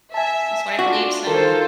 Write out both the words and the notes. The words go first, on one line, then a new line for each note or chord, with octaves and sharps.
It's what I believe. So
E5 G#5 A5
D4 F4 F#4
D#3 F4 A4 A#4 C5